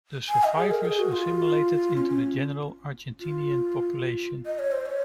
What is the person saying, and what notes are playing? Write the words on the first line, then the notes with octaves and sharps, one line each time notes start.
The survivors assimilated into the general Argentinian population.
G#5
D#5
G#4
A#4
G#4
F#4
F4
C#4
C#4
F4
D#5
C#5
C5
C#5